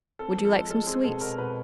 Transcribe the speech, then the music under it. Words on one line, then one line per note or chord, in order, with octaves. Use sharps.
Would you like some sweets?
C4 A4
F3
A4
G#3 G#4
G#3 A4
C4 G#4
B2 A4
B2 A#4
B2 B4